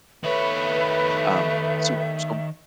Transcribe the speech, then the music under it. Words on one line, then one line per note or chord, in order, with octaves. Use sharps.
Um, so so
D#3 A3 B4 C#5 E5